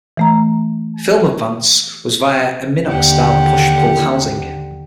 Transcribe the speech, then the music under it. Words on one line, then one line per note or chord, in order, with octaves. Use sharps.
Film advance was via a Minox-style push-pull housing.
E3 A3 A#5
D#2 D3 G4 F#5